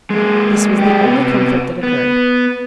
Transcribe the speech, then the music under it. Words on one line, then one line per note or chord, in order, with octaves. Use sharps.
This was the only comfort that occurred.
G#3 A#3
G#3 G4
C3 B3
B3